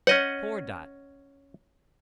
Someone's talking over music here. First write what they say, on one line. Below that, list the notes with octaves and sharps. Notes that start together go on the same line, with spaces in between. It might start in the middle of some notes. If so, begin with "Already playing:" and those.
Poor Dot!
C#4 C#5 D#5 F#5